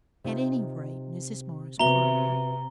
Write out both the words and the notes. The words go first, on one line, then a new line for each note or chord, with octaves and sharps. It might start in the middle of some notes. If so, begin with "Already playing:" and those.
At any rate, Mrs. Morris cried.
C3 D#4 F4
C3 B3 F#4 E5 A#5 G7